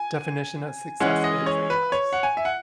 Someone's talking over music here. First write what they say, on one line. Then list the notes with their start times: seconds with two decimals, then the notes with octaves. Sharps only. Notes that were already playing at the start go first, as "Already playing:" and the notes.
definition of success is, I guess.
Already playing: G#5
1.00 E3 G#3 C#4 F#5
1.24 D#5
1.46 C#5
1.70 B4
1.92 C#5
2.13 F#5
2.23 G#5
2.37 E5
2.45 F#5